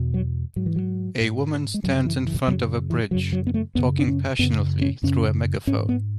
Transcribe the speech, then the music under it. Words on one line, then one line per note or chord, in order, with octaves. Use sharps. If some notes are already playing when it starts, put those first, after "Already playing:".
A woman stands in front of a bridge, talking passionately through a megaphone.
Already playing: E2 B2
F#3
G#2 F#3
E3
F#3
G#2
G#3
F#2 C#3 F#3
E3
E3
F#2 C#3 F#3
E3
F#2 C#3 F#3
F#3
B3
A3
F#2 C#3 B3
D4
C#4
F#2 C#3 B3
C#4
F#2 C#3 C#4
G#2 C#4
B3